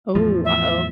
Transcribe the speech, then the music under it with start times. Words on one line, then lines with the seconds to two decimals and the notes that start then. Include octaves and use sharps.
Oh, uh-oh.
0.15 E2 A2 F3
0.44 E5